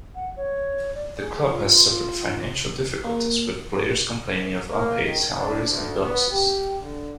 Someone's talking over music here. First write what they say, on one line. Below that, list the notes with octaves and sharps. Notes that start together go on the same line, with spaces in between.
The club has suffered financial difficulties, with players complaining of unpaid salaries and bonuses.
F#5
C#5
D5
G#4
F4
F4
A#3
A#3
D#3
D4
D2
B3
G4
D3